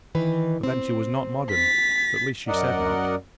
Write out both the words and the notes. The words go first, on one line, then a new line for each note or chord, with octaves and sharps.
But then she was not modern, at least she said not.
D#3 E3 B4
C4
A6 B6
F#2 A#4 D5 D#5 F#5